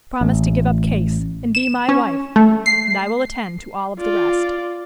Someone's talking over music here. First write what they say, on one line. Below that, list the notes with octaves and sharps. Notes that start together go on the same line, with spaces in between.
Promise to give up Case, and be my wife, and I will attend to all of the rest.
A1
E7
C#4
A3
C7
F4 D5